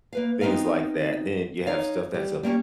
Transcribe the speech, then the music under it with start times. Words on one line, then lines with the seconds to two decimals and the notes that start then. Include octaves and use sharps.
things like that. Then you have stuff that’s, uh
0.13 A#3 B4 F5
0.41 B3 C4 D#4 A#4 F5
1.67 D#4 C#5 F5
2.14 G3
2.43 G3 A#3 C4 C#4